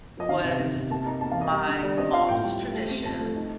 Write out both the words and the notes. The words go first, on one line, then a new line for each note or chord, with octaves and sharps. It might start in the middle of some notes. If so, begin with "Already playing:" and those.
was my mom's tradition,
D#5
D#3 F5
C3
D#3
C3
A#3 A5
D#4 A#5
A#3 A5
F5
D#4 D#5
G3
D3
G3 D5
C4 D#5
F4 F5
A2 G5
G3
G3
A3
C4
F3 A5
A3
D#4